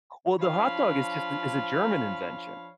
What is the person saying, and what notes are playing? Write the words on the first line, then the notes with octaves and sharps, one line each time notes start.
Well, the hot dog is just a is a German invention.
F3 D4 C#5 F5 B5